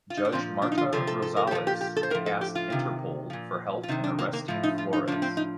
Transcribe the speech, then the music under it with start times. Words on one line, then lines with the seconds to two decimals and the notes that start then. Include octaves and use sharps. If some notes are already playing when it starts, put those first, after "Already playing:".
Judge Marta Rosales asked Interpol for help in arresting Flores.
0.10 F4
0.17 D#4
0.25 D4
0.32 A#2 F3 C4
0.62 D4
0.72 D#4
0.78 F4
0.93 C3 F3 A4
1.07 A4
1.22 A4
1.37 A#4
1.47 G4
1.51 A#2 F3 A4
1.67 G4
1.81 G4
1.97 A4
2.03 C5
2.10 A2 A#4
2.15 F3
2.26 A4
2.41 G4
2.55 F4
2.70 C3 D#3
3.30 A#2 F3
3.83 F4
3.88 C3 D#3 D#4
4.04 D4
4.19 A#3
4.33 A#3
4.48 A2 F3
4.63 D#4
4.78 F4
4.93 D#4
5.08 F3 D4
5.12 A2
5.22 C4
5.37 D#4